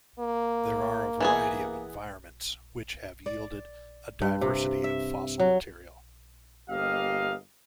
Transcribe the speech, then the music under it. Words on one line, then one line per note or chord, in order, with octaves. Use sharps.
There are a variety of environments, which have yielded a diversity of fossil material.
A#3
E3 B3 G#4
D5
G2
C3
E5
F#3
G1 A#3 G4 D#5 F5